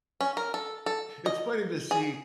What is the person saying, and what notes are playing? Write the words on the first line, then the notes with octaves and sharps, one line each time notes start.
it's funny to see
C#4
A#4
A4
A4
D#5
G#4